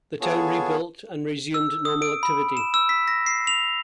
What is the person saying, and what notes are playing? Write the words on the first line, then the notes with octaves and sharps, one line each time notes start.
The town rebuilt and resumed normal activity.
B3 F4 G#4 A4 C#5
E6
D#6
D7
B5
E7
E6
B6
A#6
C7
F7